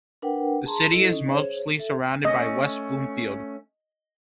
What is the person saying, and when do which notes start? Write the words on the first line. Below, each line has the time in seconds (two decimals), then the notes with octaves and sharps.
The city is mostly surrounded by West Bloomfield.
0.22 D4 A#4 B4 F#5 G5
0.65 G#4 A5 A#5 C6
0.92 E4 A4 D#5
1.12 C#4 D#4 D#5
1.27 G#4 C5 C#5
1.77 A4 E5
2.25 A3 C#4 D#5